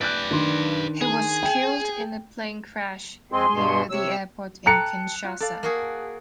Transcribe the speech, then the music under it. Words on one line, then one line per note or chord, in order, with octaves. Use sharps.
He was killed in a plane crash near the airport in Kinshasa.
B4 D5 F#6 G6 A6
D#3 D4 C6
G#4
G5
F2 G#3 C4 G#4 G#5 C6
G2 B2
C3 C#5 E6
A4 G5 A#5 F#6 C#7
F4
A4 D5 F5
A#3 F#4 G#4